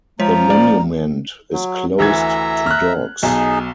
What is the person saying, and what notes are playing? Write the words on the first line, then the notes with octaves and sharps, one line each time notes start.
The monument is closed to dogs.
F3 G#3 C#5 A#5 B6
C#4 D5
F#3
D2 E3 E5 A#5 G#6
F6 F#6
B1 D#4 G#4